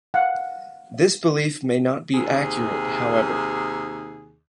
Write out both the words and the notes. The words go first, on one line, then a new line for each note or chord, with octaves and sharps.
This belief may not be accurate, however.
F5 F#5
D#2 C3 G#4